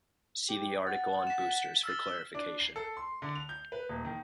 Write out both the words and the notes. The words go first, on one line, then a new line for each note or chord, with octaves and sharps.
See the article on Boosters for clarification.
G4
F#5 A6
B6 E7
E6 F6 A6
D4
C7
A4
C6
D3
F7
G6
B4
D#1
D#3